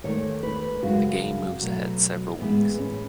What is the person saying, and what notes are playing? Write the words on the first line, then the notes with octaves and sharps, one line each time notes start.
The game moves ahead several weeks.
E2 D#3 A3 C#5
B4
F#2 C#3 G#3 F#4
B2 F#3 A3
A2 E3 G#3 B3
C#4